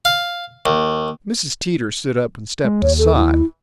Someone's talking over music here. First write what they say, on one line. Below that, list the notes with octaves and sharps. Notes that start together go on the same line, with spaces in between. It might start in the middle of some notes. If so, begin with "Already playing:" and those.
Mrs. Teeter stood up and stepped aside.
F5
D#2
G#3
D#2 C#5
A4
E4